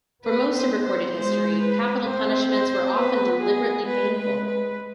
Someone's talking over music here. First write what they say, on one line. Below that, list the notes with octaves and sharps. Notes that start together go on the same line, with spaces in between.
For most of recorded history, capital punishments were often deliberately painful.
B3 B4
C5
C5
G#3 C5
B4
C4 C5
C5
B3 B4
G#4
G#3 B4
B4
B4